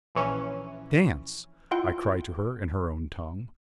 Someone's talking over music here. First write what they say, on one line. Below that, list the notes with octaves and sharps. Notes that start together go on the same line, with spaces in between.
"Dance," I cried to her in her own tongue.
A#1 E3 C#4
E4 F4 F#5 G5 C6 E6